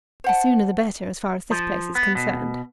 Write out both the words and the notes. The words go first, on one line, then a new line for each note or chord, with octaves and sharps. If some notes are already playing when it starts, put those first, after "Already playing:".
"The sooner the better as far as this place is concerned."
C5 F#5 A5
F3
B3
B2